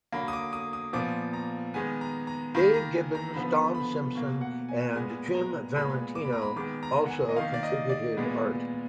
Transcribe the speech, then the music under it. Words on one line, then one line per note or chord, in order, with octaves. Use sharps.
Dave Gibbons, Don Simpson, and Jim Valentino also contributed art.
D3 F#3 A#3 B5
D#6
D6
D#6
D#6
A#2 F3 B3 D6
A#5
D#3 G#3 B3 G#5
A#5
A#5
D#3 A#3 B5
A#5
G#5
A#5
D3 F3 B3 B5
B5
B2 A#3
F#5
G#5
A#2 G#3 B3 G#5
A#5
A#2 G#3 B3 B5
D6
B5
A#5
B5
D#3 G#3 B3 D6
A#5
F#5
G#5
D#5
D#3 A#3 F5
D5
D#5
D5
A#2 G#3 B3